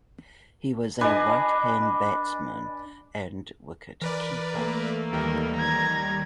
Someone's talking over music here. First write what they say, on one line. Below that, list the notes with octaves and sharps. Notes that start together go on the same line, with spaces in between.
He was a right hand batsman and wicket-keeper.
D4 B4 D#5 G#5
E3 A#4 B4 D5
A3 A#3
D#2 D#3 G3 A#4
A#5 G#6